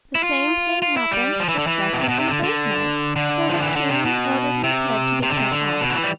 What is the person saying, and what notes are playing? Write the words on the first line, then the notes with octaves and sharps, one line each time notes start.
The same thing happened the second and third night: so the king ordered his head to be cut off.
E4
F4
F4
E4
G3
F3
E3
D3
E3
B2
C3
B2
C3
D3
D3
D3
F3
E3
D3
C3
B2
C3
C3
D3
C3
D3
B2
D3
E3
G3